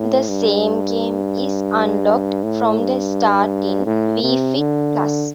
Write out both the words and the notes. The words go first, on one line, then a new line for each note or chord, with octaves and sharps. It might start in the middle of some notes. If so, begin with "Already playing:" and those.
The same game is unlocked from the start in "Wii Fit Plus".
Already playing: A2
G2
A2
G2
A2
C3
D3